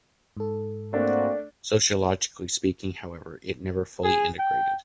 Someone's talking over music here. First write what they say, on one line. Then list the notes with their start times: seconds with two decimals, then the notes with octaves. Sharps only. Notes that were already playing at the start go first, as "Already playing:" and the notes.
Sociologically speaking, however, it never fully integrated.
0.37 G#2 A4
0.93 A3 A#3 C4 D4 F#4 D5
4.04 G#4
4.39 G5